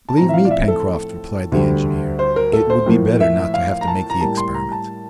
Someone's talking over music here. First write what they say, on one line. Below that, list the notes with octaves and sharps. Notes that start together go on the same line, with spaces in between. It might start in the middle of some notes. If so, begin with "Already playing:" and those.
"Believe me, Pencroft," replied the engineer, "it would be better not to have to make the experiment."
A5
A2 F3 C4 A#5
E5
F5
D5
E5
A4
D2 D3 G3
C5
A#4
A4
C5
A2 F3 A#3
E5
F5
A#5
A5
A#5
A2 G3 A#3 A5
C6
A#5
A5